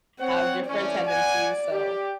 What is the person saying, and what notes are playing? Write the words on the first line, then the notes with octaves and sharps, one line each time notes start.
have different tendencies, so,
C4 C5 C#5 F#5
E3 A3 C#4 D5
F#5 G#5
G4